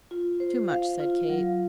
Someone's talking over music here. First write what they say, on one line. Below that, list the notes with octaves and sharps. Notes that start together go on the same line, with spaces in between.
"Too much!" said Kate.
F4
C5
F5
F4
F#3